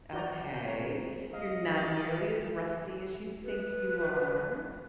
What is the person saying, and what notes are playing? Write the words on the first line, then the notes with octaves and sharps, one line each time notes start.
Okay. You're not nearly as rusty as you think you are.
F#4 D5 A#5 G6
G#3 C4 C#5 A#5
G3 D#5 F5
G4 F5 A6
B4